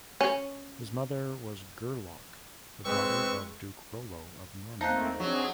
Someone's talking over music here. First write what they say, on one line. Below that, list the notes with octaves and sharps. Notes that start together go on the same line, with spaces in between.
His mother was Gerloc, the daughter of Duke Rollo of Normandy.
C#4
G#3 C4 B4 C#6 E6
A3 A#3 C4 D#4 C5 F5 A5 F#6
F#3 C4 D4 G#4